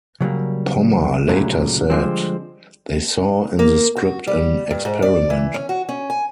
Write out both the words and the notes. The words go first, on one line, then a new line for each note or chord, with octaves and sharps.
Pommer later said: They saw in the script an 'experiment'.
C#3 F#3 G3 A#3
D2 A#2 C#3 F#3 A3 D4
D3 F3 G3 G#3 C4
A#3
F#4
G3
G2
G#2
D5
E3
C#4
F#4
C#4
G#5